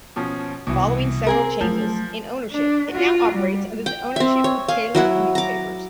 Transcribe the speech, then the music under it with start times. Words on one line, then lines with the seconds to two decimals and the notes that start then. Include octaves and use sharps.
Following several changes in ownership, it now operates under the ownership of Taylor Newspapers.
0.16 B2 F3 C#4
0.67 C2 B2 E3
1.27 C4 G#4 A#4
1.61 F3 F#3 A3
2.51 D4
2.92 F4 F#4
3.33 G3
3.86 G5
4.16 C4 E5
4.44 C#5
4.68 F5 G#5
4.95 F#3 E4 F#5
5.35 A#5 D6